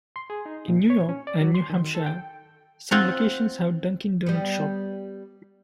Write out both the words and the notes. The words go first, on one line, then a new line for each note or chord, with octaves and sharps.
In New York and New Hampshire, some locations have a Dunkin Donuts shop.
C6
G#4
D#4
A#2
C#5
C#4
D5
F#3
C6
D#3
A4
G5
C4 F4 F#5 A#5
G3 B3